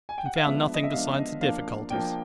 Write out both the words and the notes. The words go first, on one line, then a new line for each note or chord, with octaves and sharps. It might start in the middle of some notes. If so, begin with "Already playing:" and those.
'And found nothing besides the difficulties?'
G#5
G5
F#5
F5
F3 G#3 B3 D4 E5
D#5
E5
F3 G#3 B3 D4 F5
D#5
F3 A#3 D4 F5
F3 A#3 D4 G5